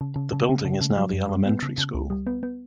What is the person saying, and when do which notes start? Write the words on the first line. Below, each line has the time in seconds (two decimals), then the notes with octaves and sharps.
The building is now the elementary school.
0.01 C#3
0.16 C#3
0.33 C#3
0.49 C#3
0.65 C#3
0.81 C#3
0.97 F#3
1.13 F#2
1.29 G3
1.46 B3
1.63 C#3
1.78 C#3
1.94 C#2
2.10 G3
2.27 B3
2.43 B3